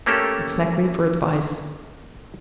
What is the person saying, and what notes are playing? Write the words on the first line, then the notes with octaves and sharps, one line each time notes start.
McSnagley for advice.
A3 A#3 C#4 G4 A4